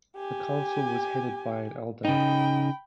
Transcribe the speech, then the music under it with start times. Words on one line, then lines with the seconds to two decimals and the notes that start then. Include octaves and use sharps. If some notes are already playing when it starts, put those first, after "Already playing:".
The council was headed by an elder.
0.16 G4 G#5
2.05 C#3 D#4 G5 B5